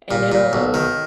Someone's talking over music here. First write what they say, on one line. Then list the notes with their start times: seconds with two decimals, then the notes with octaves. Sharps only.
and it'll
0.11 A#2
0.32 A#2
0.53 B1
0.74 D#3